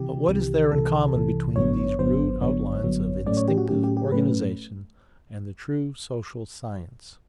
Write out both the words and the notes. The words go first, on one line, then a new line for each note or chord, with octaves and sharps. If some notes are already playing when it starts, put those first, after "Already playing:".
But what is there in common between these rude outlines of instinctive organization and the true social science?
Already playing: C3 E3 G4
C2 C3 E3
C2 C3 E3 A4
C2 C3 E3
G#1 G2 D3 F#3 B3 C#5
G#1 G2 D3 F#3 B3 C5
G#1 G2 D3 F#3 B3 C#5
G#1 G2 D3 F#3 B3
A2 F#3 A3 C#4 D5
C#5
G4
F#4
A2 F#3 A3 C#4 G4
G4
G4
A2 F#3 A3 C#4 B4